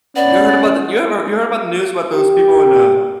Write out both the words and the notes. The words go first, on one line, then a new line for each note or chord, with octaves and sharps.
You heard about the you ever you heard about the news about those people in, uh,
B3 C#4 D5
G4